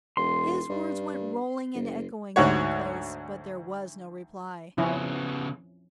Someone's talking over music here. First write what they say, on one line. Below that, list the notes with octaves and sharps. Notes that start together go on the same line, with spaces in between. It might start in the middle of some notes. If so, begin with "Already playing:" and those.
His words went rolling and echoing through the place, but there was no reply.
E1 C6
G2
F#1
D2 G#2 F#4 C#5
C#3 F3 B3 C#4 E4